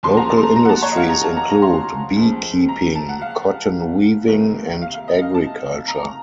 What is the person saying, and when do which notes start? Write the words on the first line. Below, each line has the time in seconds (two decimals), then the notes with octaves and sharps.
Local industries include beekeeping, cotton weaving, and agriculture.
0.03 D#2 C#3 F3 C6
0.17 A#5
0.30 A5
0.37 C6
0.43 A#5
0.56 A#5
0.65 F#5
0.69 A5
0.83 C#5
0.91 D#5
0.97 F5
1.09 A#5
1.23 A5
1.37 A#5
1.50 A#5
1.62 C6
2.16 C#2 C#3 F3
2.68 A#5
2.95 A5
3.09 F#5
3.21 F5
4.28 C2 C3 D#3 A#4
4.82 F5
4.94 F5
5.08 D#5
5.22 F5
5.34 A5
5.88 A#5